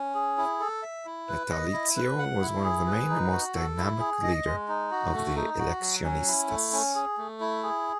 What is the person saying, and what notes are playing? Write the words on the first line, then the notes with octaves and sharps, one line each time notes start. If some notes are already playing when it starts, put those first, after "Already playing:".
Natalicio was one of the main and most dynamic leader of the "eleccionistas".
Already playing: C#4
G#4
E4
A4
E5
E4
B4
D#5
E4
B4
F#5
E4
G#4
B4
D#4
F#4
A4
E4
G#4
D#5
G#3
D#4
F#4
A3
D#4
F#4
F#3
C#4
E4
A3
C#4
G#4
A3
E4
G#4